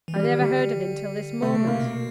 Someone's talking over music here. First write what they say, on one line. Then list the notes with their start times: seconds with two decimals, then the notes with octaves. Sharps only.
'I never heard of him till this moment.
0.08 E3
0.16 G3
0.24 D#3
0.41 D3 G3
1.42 C3 A3
1.55 C#3
1.67 C3 A#3
1.80 B2